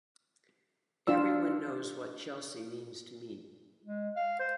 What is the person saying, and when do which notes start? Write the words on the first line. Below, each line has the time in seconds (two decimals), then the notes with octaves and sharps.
Everyone knows what Chelsea means to me.
1.07 D4 F4 D5 E6
3.85 G#3
4.16 F5
4.40 C5